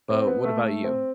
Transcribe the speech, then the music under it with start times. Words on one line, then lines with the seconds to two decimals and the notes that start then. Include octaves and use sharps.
But what about you?
0.10 C4
0.27 B3
0.45 A3
0.61 A3
0.84 C4